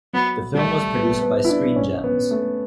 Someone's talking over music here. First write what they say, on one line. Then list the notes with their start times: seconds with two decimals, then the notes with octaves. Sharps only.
The film was produced by Screen Gems.
0.13 F#3 B3
0.54 G3 A3
0.95 B3
1.22 B3
1.44 E4
1.49 D4
1.76 C#4
2.04 B3
2.31 A3